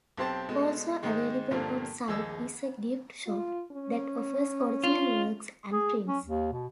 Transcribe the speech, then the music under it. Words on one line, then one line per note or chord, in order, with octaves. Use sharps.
Also available on sight is a gift shop that offers original works and prints.
B1 C4 G4 C5 A5
B2 G#3 A3
G#2 D#3 G#3
G2 A#2 D3 F3 A#3
A#1 D#2 G#4 D#5 E6
F4
C#4
F4
G#4
C#4
D#2
B2